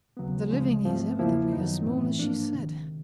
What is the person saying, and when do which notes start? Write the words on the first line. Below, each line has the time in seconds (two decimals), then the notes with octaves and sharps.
'The living is evidently as small as she said.
0.17 D#2 C#3 F#3 B3
0.51 D2 C#3 F3 G#3
0.84 G#2 F3 A3 C4
1.19 E2 C#3 F3 A#3 E4
1.52 F#2 D#3 F#3 B3 D#4
1.86 A2 E3 A3 C4
2.19 G#2 F3 A#3 D4
2.53 C#2 C3 D#3